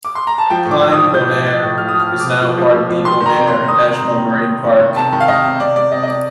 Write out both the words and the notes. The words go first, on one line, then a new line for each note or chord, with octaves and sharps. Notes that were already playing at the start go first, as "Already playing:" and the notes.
Klein Bonaire is now part of the Bonaire National Marine Park.
D6
C6
A#5
A5
F3 G5
A2
D6
F3
F3 D#6
F3 G6
F3
F3 A6
A2
F3 F6
F3 D#6
F6
A2
D6
F3
F3
F3
F3
F3
D#3 C6
D#3
A#5
C3
C6
C3
D#3 D#6
C3
D#3
D#3
D#3
C3
D#3
D#3
C3 A5
D#3
F5
D#3 D#5
C3
C3 D5
C3 D5
C3 D#5
D#5
C3 D5